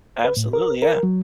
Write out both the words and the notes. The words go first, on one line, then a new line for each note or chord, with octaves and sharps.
Absolutely, yeah.
B4
A2
A#4
A#4
F#3